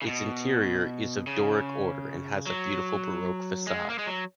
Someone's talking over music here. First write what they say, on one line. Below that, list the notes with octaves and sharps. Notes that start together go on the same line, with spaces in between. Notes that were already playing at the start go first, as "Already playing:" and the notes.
Its interior is of Doric order and has a beautiful baroque facade.
C#3
B2
C#3
F#3
G#3
A#3
G#3
F#3